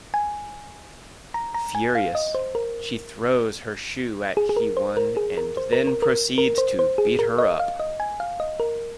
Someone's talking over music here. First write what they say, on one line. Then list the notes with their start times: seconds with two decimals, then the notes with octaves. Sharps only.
Furious, she throws her shoe at Hee-won and then proceeds to beat her up.
0.14 G#5
1.34 A#5
1.54 A#5
1.75 G#5
1.95 F5
2.15 D#5
2.35 C5
2.55 A#4
4.37 G#4
4.49 G#4
4.57 A#4
4.77 C5
4.97 A#4
5.17 G#4
5.37 A#4
5.57 C5
5.73 A#4
5.87 A#4
6.02 A#4
6.38 A#4
6.58 C5
6.79 C5
6.98 G#4
7.19 A#4
7.38 D#5
7.59 F5
7.80 D#5
8.00 G#5
8.20 F5
8.40 D#5
8.60 A#4